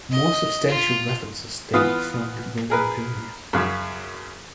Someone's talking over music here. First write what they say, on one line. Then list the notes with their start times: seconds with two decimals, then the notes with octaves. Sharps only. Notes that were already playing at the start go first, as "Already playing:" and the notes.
More substantial references date from the Roman period.
0.11 D#5
0.67 F4
1.74 E3 B3 F4 D#6
2.70 G#4 A#4 B4
3.53 F#2 C#3